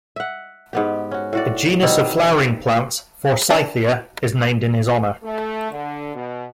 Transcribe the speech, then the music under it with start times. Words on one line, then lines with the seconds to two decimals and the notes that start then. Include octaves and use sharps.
A genus of flowering plants, "Forsythia", is named in his honor.
0.16 E5 F#5
0.73 G#2 B3 G4
1.11 C#4 F#4
1.33 A2 F#4 D5
1.82 B2 D#3 G3 C4
3.50 D4
5.23 A3
5.71 D3
6.15 B2